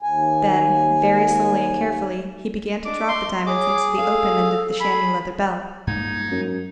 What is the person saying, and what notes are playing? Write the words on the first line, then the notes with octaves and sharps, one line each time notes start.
Then, very slowly and carefully, he began to drop the diamonds into the open end of the chamois-leather belt.
D#2 G#5
D4 D#5 D6
C6
G#4 C#5 D6
A4 F5
G#4 B5
G2 G#3 A#3 D#4 G#6
F#2